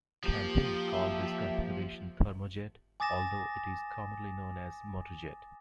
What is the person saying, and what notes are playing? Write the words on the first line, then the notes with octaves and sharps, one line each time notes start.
Campini called this configuration "thermojet", although it is commonly known as "motorjet".
F3 A#3 G4
E5
G#5 D6 D#6 A6 A#6 E7